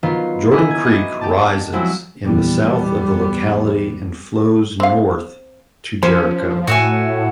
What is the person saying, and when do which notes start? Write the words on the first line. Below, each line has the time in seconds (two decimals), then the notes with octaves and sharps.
Jordan Creek rises in the south of the locality and flows north to Jericho.
0.03 D#3 F#3 B3 F4 B4
0.51 E4 D#5 G#5 D#6
0.71 G#6
0.84 F#4 D#5 D6
1.21 G4 D5 A5
1.73 F3 F#3 G#3 C4 E4 F#4
2.25 A#1 E2 G3 B3
4.80 C4 F5
6.03 F3 C#4 C5
6.67 A2 F#4 E5 G#5